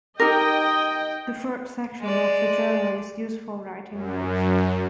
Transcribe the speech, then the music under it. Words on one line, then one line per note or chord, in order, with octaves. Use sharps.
The third section of the journal is used for writing notes.
D#4 G4 A#4 D#5 G5
G#3 D5
F#2